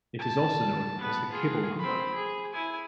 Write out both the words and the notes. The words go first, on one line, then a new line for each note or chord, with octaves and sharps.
It is also known as the Kibel number.
A5
B3 B4
F4 G#4
C4 B5
G#4
E4 G#5